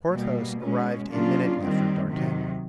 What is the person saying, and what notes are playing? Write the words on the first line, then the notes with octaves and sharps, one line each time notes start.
Porthos arrived a minute after d'Artagnan.
B2 G3 A#3
B2 G#3 C#4
C#3 F#3 A#3 D4 F4
D#3 G3 C4
C3 D#3 F#3